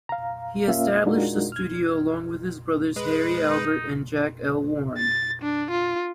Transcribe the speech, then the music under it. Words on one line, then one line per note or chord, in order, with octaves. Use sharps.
He established the studio along with his brothers Harry, Albert, and Jack L. Warner.
F5 A#5
A#3 C#4 F4 E5 F5
G#3 D4 D#4 F4 F#4 A#4
F6 G#6
G#3 B4
D#4
A6
D4
F4